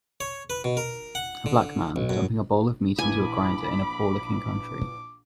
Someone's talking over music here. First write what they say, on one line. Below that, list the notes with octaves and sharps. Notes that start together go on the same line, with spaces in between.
A black man, dumping a bowl of meat into a grinder in a poor looking country.
C#5
B4
B2
A#4
F#5
D3
B1
F#2
A#1 E3 G#5 B5 D6